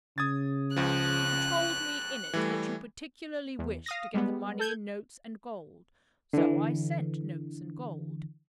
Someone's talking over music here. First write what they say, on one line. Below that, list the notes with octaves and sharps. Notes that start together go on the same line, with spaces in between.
You told me in it that you particularly wished to get the money in notes and gold; so I sent notes and gold.
C#3 D#6 G#6 A6
C#2 F3 F#6
E3 G3 A3
E2
F5 D#6 A#6
G3 G#3 B3
A4 G6 G#6
D3 E3